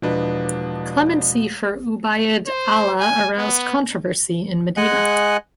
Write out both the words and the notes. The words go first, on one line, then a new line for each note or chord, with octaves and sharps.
Clemency for Ubayd Allah aroused controversy in Medina.
E1 F3 D4 B4 D#5
C5
G#5
B3
G#3 D#5 F#5 G#5 F#6